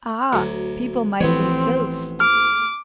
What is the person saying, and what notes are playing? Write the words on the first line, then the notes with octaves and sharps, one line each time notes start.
Ah! people might be sylphs.
D2 F#3
A1 E3 F3 B3 C4 C#5
D6 F6